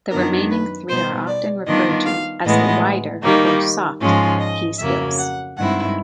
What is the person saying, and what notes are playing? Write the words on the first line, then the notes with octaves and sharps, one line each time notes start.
The remaining three are often referred to as the 'wider' or 'soft' Key Skills.
F#2 D#3 F#3 B3 D4 A#4
B4
B2 G3 B3 D#4 C5
D5
D#3 G3 B3 D4 F4 D#5
F5
A2 E3 G#3 B3 D#5
D#3 G3 A#3 D#4
G#2 F3 G#3 C#4 F4
D#5
F2 C#3 F#3 A#3 E5
F#5
G2 D#3 G#3 C4 E4 F#5